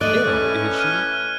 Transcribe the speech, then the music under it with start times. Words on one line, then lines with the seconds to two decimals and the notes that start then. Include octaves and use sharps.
'Ill! is she?
0.01 A3 D5 D#5 F#6 D#7
0.27 A2 E3 C#4
0.77 F6 G#6 D#7